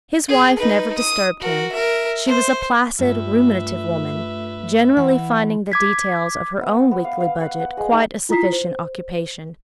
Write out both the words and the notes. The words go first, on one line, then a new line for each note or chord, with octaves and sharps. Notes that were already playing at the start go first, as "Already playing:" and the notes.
His wife never disturbed him; she was a placid, ruminative woman, generally finding the details of her own weekly budget quite a sufficient occupation.
G#4
D#4 B4
D#6
F#4 A#4
A#4 E5
C5
G2 A3 F4 B4 E5
E3 F#5
D6 G#6 B6
B3
C#6
B3
F5
F5
F#5
F#5
G#3
D#4
E4 F4 A#5 D#6 B6 C7
C5